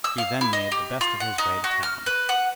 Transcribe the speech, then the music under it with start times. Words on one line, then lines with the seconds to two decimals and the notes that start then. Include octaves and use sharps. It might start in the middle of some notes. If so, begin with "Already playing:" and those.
He then made the best of his way to town.
0.04 E6
0.18 F5
0.41 E4
0.53 D#5
0.72 G4
1.01 F4
1.20 F#5
1.38 D#4
1.64 F#4
1.83 F6
2.06 B4
2.29 F#5